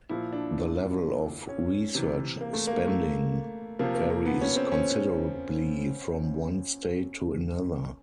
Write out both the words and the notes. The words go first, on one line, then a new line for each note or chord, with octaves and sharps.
The level of research spending varies considerably from one state to another.
A#2 F3 E4
D4
C#4
C3 E3
A#3
A3
A#3
A3
C3 F3 A#3
A#3
A#3
B3
C#4
C4
C#4